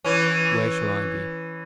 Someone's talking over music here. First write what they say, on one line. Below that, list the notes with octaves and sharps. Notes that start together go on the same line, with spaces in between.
Where shall I be?
E3 C#4